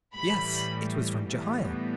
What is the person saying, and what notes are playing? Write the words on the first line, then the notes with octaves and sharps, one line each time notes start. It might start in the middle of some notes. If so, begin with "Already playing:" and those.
Yes, it was from Jehiel.
A2 E3 G3 B5
A2 E3 G3 B3